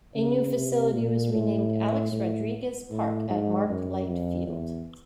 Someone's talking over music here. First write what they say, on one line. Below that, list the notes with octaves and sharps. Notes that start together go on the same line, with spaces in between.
The new facility was renamed "Alex Rodriguez Park at Mark Light Field".
C#3
C3
A#2
A2
A2
A2
G#2
F#2
F2
E2